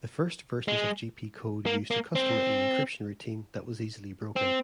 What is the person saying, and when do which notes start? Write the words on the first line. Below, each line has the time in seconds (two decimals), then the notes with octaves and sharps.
The first versions of Gpcode used a custom-written encryption routine that was easily broken.
0.68 G#3
1.66 A#3
1.91 A#3
2.15 C4
4.36 C4